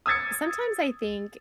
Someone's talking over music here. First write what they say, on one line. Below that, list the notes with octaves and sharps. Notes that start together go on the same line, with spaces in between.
sometimes I think,
D#6 E6 G#6 A6 C#7